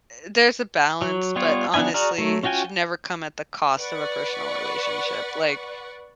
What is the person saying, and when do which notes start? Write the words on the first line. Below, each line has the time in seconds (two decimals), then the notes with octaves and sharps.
eh, there's a balance, but, honestly, it should never come at the cost of a personal relationship. Like
1.02 F#3
1.36 G3 B3 F4 C#5
1.74 D#3 B3 D4 E4 G#5
1.94 F#4 G#4 D5 A#5 F6
2.18 F#3 A3
2.43 C#4 F4 F#4 G5 G#5
3.77 B4 D5 F#5 C#6